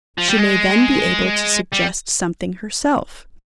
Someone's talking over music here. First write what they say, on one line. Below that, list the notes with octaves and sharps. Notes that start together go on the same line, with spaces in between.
She may then be able to suggest something herself.
F3
G3
G#3
G3